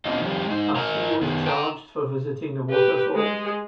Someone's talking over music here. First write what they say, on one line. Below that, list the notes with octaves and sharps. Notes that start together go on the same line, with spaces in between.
A fee was charged for visiting the waterfall.
B3 C4 D4 F4 D#5
F3 G3 C4 G4
G#3 D#4
A#4 D#5 G#5 A#5
D#3 B3
G5 G#5 A#5
G4 B4
G#3 G#4